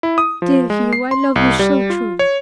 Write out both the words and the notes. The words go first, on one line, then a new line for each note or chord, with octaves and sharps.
"Dear Hugh, I love you so truly!"
E4
D#6
F3
G#3
C7
C6
C2
G3
F4
C#5